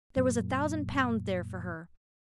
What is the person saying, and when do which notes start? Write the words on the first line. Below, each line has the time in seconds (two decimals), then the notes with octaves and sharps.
There was a thousand pounds there for her!
0.16 F#2 A#2 F#3 A#3